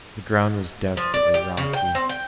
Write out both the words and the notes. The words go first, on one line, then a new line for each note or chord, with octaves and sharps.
The ground was desperately rocky.
F3
D5
G4
C#3
G5
C4
G5